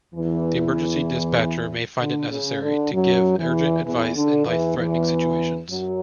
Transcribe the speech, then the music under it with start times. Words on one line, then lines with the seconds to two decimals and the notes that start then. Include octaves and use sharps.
The emergency dispatcher may find it necessary to give urgent advice in life-threatening situations.
0.14 E2 E3
1.99 D3
2.30 C#3
2.61 D3
2.92 F#2 F#3
3.38 E2 E3
3.84 E2 E3
4.15 D3
4.46 E2 E3
4.77 E2 E3
5.70 F#2 F#3